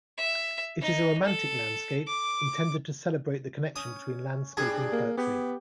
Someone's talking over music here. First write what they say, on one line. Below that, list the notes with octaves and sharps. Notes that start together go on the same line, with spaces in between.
It is a "romantic landscape", intended to celebrate the connection between landscape and poetry.
E5
D#4
A4
D6
C#4 D#6
G#2 G3 D4 G#4
A#3
B3 G4